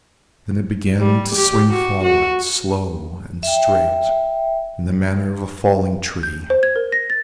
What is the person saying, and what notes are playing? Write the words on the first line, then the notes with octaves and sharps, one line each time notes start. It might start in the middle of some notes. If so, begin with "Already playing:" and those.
Then it began to swing forward, slow and straight, in the manner of a falling tree.
G3
G4
F#4
F#4
E5 G5
G6
C5
G#6
A#4
A#6
A6